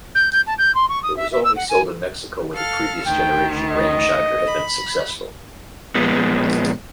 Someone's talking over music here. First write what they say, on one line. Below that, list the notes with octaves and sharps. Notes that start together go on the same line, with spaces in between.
It was only sold in Mexico, where the previous generation Ramcharger had been successful.
G6
G6
A5
G6
C6
C#6
D#6
E5
E5
E6
F#5
G#5
A4 F5 F6
D2 D#3 G5
D#5
B5
A#2 F3 G#3 B3